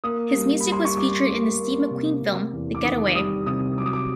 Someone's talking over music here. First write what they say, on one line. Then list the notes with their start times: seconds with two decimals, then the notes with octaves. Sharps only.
His music was featured in the Steve McQueen film "The Getaway".
0.04 A#3 D#6
0.35 G3
0.60 B5
0.66 G3
0.72 C6
0.85 C#6
0.97 G3 D6
1.28 A#3
1.60 A#3
1.91 C3
2.22 C3
2.53 E2
2.75 D6
2.84 D#3 D#6
3.15 G3 D#6
3.46 C3 D#6
3.78 F#3 D6
3.86 D#6
3.93 D6